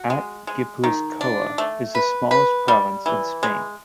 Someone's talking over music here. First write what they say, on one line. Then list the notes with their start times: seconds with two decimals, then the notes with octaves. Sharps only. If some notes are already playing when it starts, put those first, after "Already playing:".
At Gipuzkoa is the smallest province in Spain.
Already playing: F#4
0.10 G#3
0.47 G#3
0.84 D#3
1.21 D4
1.58 A3
1.95 B4
2.31 B4
2.68 G3
3.06 E3
3.43 G#3